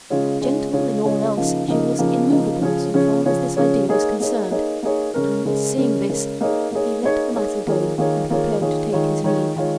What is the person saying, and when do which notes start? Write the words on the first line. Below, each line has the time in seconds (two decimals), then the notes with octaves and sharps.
Gentle in all else, she was immovable so far as this idea was concerned and, seeing this, he let the matter go and prepared to take his leave.
0.10 C#3 G#3 F4 G#4 C#5
0.41 C#3 G#3 F4 G#4 C#5
0.73 C#3 G#3 F4 G#4 C#5
1.04 C#3 G#3 F4 G#4 C#5
1.36 C#3 F3 A#3 D#4
1.68 C#3 F3 A#3 D#4
1.99 C#3 F3 A#3 D#4
2.30 C#3 F3 A#3 D#4
2.61 C#3 F3 C#4 G#4 C#5
2.94 C#3 F3 C#4 G#4 C#5
3.25 C#3 F3 C#4 G#4 C#5
3.57 C#3 F3 C#4 G#4 C#5
3.89 A#3 D#4 G#4 C#5
4.20 A#3 D#4 G#4 C#5
4.51 A#3 D#4 G#4 C#5
4.83 A#3 D#4 G#4 C#5
5.14 C#3 G#3 C#4 A#4
5.45 C#3 G#3 C#4 A#4
5.77 C#3 G#3 C#4 A#4
6.09 C#3 G#3 C#4 A#4
6.41 A#3 D#4 G#4 C#5
6.72 A#3 D#4 G#4 C#5
7.03 A#3 D#4 G#4 C#5
7.34 A#3 D#4 G#4 C#5
7.67 D#3 A#3 F4 G#4 C#5
7.98 D#3 A#3 F4 G#4 C#5
8.29 D#3 A#3 F4 G#4 C#5
8.61 D#3 A#3 F4 G#4 C#5
8.92 D#3 G#3 F4 C#5
9.24 D#3 G#3 F4 C#5
9.56 D#3 G#3 F4 C#5